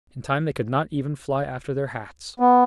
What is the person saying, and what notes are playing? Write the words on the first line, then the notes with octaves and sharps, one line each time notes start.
In time they could not even fly after their hats.
B3